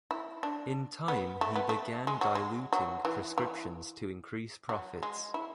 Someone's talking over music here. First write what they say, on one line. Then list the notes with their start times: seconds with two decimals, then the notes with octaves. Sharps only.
In time he began diluting prescriptions to increase profits.
0.11 E4
0.43 D4
1.08 B3
1.41 A3
1.55 B3
1.69 A3
2.07 G#3
2.21 F#3
2.35 G#3
2.73 F#3
3.05 E3
3.38 E3
4.69 F#3
5.03 G#3
5.34 E4